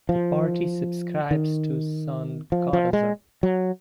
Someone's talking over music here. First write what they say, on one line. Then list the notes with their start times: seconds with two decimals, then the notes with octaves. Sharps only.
The party subscribes to Sankarism.
0.09 F3
1.31 D#3
2.52 F3
2.73 F3
2.93 G#3
3.43 F#3